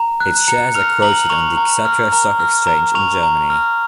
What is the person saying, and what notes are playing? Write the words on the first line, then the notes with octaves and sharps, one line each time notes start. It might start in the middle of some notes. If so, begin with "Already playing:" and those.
Its shares are quoted on the Xetra stock exchange in Germany.
Already playing: A#5
F#6
A#5 C#7
F6 F7
A#5 F#7
C#6 F7
A#5
F6
A#5
F6
A#5
C#6 F7
A#5
F6